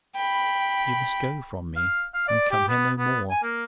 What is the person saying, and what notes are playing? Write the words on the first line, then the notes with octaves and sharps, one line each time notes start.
You must go from me, and come here no more.
G5 B5
F5
F5
D5
G4
B3
B3
G#5
A#3